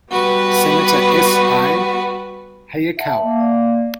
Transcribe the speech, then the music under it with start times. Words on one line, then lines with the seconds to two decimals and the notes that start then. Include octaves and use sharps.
Senator S. I. Hayakawa.
0.11 G3 B3 F#4 B4
2.97 E5 F#5 A5
3.21 A#3
3.40 D5